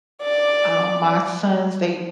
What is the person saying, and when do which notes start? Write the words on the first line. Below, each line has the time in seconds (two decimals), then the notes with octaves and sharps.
Um, my sons, they
0.22 D5